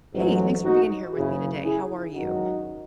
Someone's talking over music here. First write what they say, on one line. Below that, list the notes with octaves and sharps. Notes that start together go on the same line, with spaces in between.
Hey. Thanks for being here with me today. How are you?
A1 G#2 F#3
D#4 F#4
F#1 F#2 C#3 E4 G#4
E4 G#4
G#1 F#2 D#3 F#3 D#4 F#4